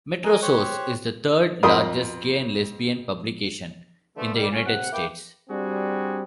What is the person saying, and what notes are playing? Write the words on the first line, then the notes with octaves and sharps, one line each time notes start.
"Metrosource" is the third largest gay and lesbian publication in the United States.
A#4 D#5 G#5
G4 C5 C#5 C#6 F#6
F2 A#4 D#5 B5 C6 D#6
D3 E3 F3 A3
A#2 D#3 G3
A#2 C#4
C3 F#5
A#3 E4 B4 G5 D6
G3 C4 D4 F#4 G#4